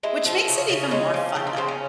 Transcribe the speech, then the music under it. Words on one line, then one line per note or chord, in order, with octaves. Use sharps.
Which makes it even more fun though.
G#3 E4
F3
C#3
C#3
G#3 C#4
F3
C#3 C4
A#3
C#3 C4
C#4